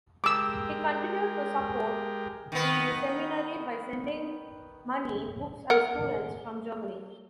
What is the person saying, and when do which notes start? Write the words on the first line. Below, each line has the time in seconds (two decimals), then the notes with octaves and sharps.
He continued to support the seminary by sending money, books, and students from Germany.
0.24 G#3 G4 A#4 D6 E6
2.52 D#3 B3
5.70 A#4 F#5